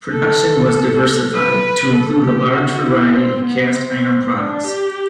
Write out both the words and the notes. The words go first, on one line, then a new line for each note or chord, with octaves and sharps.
Production was diversified to include a large variety of cast iron products.
A4
B4
A4
G4
F#4
E4
C4
B3
C4
D4
G4